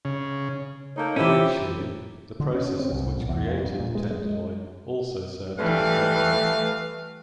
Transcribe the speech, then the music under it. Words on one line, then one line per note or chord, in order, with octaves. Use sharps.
Eventually, the processes which created the Tenderloin also served to dismantle it.
C#3
A3 A#3 D#4 C#5 A#5 G6
E3 C#4 E4 F4 G4 C5 E5 D6
D3
C#4
C4
C2
A#1
E2
F2
G2
A#2
G#3
G#3
E3 G3 A3 B4 F5